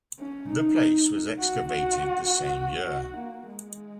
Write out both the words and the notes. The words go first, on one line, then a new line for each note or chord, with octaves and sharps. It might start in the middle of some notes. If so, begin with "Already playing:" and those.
The place was excavated the same year.
C#4
D#4
F#4
F#4
F#4
F#4
A#3
G#3